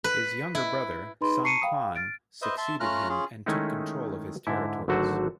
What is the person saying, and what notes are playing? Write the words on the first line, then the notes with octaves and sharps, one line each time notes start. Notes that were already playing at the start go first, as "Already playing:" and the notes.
His younger brother, Sun Quan, succeeded him and took control of his territories.
B4
E4
D#4 G#4 B4 D#5 B5 C6
A5 A#5 C#6 C7 C#7 D#7
F5 G5 B5 D#6
F6 A6 D7
B4 C5 D#5 E5
E5 A5 C6
A3 C#4 F4 A#5 F6 F#6
C#4 F4 G#4
D#3 G#3 A3 C#4 D#4 E4
G#2 D3 E4
G#1 D3 F#3 A3 F#4 C5